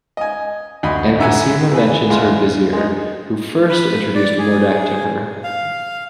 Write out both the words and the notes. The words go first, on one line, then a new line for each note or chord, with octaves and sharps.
And Cassima mentions her Vizier, who first introduced Mordack to her.
D#5 G#5
D2 D#5 B5
A1 D3 E5 F#5 G#5
E3 G#4 B4
E2 G#3 F4
G#3 D#4
B4
D5
G#4
F5